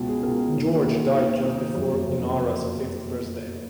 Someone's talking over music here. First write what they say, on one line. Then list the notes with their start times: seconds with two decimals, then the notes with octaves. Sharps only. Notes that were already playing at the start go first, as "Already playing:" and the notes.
George died just before Inara's fifth birthday.
Already playing: C#2 B2
0.09 G#4
0.23 C#2 B2 A#4
0.54 D#2 D#3
0.75 F#4
0.84 D#2 D#3 G#4
1.14 D#2 D#3
1.44 D#2 D#3 D#4
1.75 F#1 F2 C#3 F#3
2.05 F#1 F2 C#3